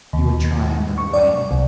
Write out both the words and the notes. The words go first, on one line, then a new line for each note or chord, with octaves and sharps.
He would try another way.
D#2
C#6
D5
C2